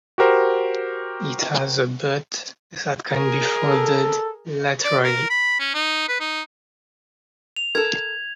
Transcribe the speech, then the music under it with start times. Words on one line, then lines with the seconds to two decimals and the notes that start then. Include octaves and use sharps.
It has a butt that can be folded laterally.
0.18 F#4 G4 A#4 C5
3.10 G#4 A#4
3.65 A4
4.85 D5
5.04 A#4
5.30 B5
5.60 C#4
5.74 D#4
6.08 B4
6.20 D#4
7.56 F7
7.75 A4 A#4 G#6